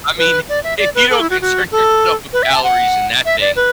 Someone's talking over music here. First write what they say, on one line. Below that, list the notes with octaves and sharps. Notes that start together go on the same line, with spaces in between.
I mean, if you don't concern yourself with calories in that thing,
B4
D5
E5
D5
B4
A4
E4
F#4
F#4
A4
B4
E5
A5
F#5
E5
D5
B4